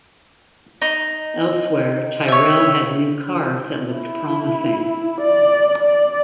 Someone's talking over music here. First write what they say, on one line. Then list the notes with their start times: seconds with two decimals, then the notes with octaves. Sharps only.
Elsewhere Tyrrell had new cars that looked promising.
0.82 D#4
2.28 C#5 E5
3.93 E4
5.21 D5
5.83 D5